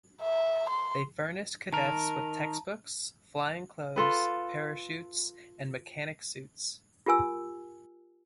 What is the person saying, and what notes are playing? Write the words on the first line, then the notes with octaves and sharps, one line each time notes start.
They furnished cadets with textbooks, flying clothes, parachutes, and mechanic suits.
E5
C6
D#3 A#4 A5 A#5
F4 A4 B4
F4 G4 A#4 G#5 E6